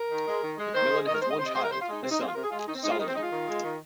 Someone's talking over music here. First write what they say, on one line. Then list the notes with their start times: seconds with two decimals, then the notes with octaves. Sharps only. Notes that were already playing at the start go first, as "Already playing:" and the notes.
McMillan has one child, a son, Solomon.
Already playing: A#4
0.10 D#3
0.26 G#3
0.42 D#3
0.58 G#3
0.74 D#3 C5
0.91 G#3
1.07 D#3 D#5
1.14 A#4
1.22 G#3 C5
1.30 D#5
1.38 C3 C5
1.46 D#5
1.54 G#3 C5
1.63 A#4
1.70 C3 C5
1.81 F4
1.87 G#3 D#4
2.02 C3 C4
2.11 D#4
2.19 G#3 C4
2.27 F4
2.34 C3 A#4
2.43 G#4
2.50 G#3 F4
2.59 G#4
2.66 D#3 D#4
2.75 C4
2.83 G#3 D#4
2.90 F4
2.99 D#3 D#4
3.07 C4
3.15 G#3 D#4
3.23 F4
3.31 D#3
3.47 G#3
3.63 D#3